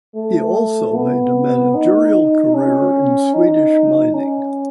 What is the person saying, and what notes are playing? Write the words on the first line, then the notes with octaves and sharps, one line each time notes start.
He also made a managerial career in Swedish mining.
A3
B3
D#4
C#4
D#4
C#4